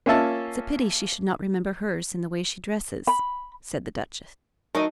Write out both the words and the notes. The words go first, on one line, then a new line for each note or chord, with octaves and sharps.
"It's a pity she should not remember hers in the way she dresses," said the Duchess.
A#3 C#4 F4 E5 A5
B5
F#3 A3 D#4 A#4 D#5